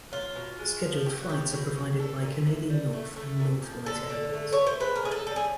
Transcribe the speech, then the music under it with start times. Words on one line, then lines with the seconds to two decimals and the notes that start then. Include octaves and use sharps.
Scheduled flights are provided by Canadian North and North-Wright Airways.
0.12 F#3 F4
0.36 B2
0.59 G#3
0.83 F3
1.06 A3 G4
1.18 F#4
1.29 A2 G4
1.52 B2
1.76 B2
1.99 A#2 A4
2.23 A#2
2.46 C3
2.70 G3
2.93 A3
3.16 A3
3.40 A#2
3.63 F3
3.86 D3 A4
4.10 D3
4.33 A3
4.53 A3 C#5
4.67 C5
4.80 G#3 B4
4.96 A#4
5.03 A2 G#4
5.11 A4
5.27 G3 A4
5.36 G#4